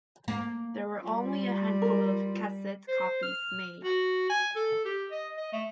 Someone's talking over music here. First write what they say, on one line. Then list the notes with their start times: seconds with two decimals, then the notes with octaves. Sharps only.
There were only a handful of cassette copies made.
0.28 A#3
1.02 G3 F4
1.82 A#4
2.88 C5
3.23 F6
3.83 F#4
4.30 G#5
4.56 A4
4.85 G4
5.11 D#5
5.37 D#5
5.52 A3